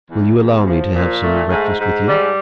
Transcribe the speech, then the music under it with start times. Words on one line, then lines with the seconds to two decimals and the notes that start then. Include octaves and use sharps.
"Will you allow me to have some breakfast with you?"
0.10 E2
0.37 E2
0.66 F3
0.95 A#2
1.22 A3
1.50 G#2
1.79 G#2
2.07 G3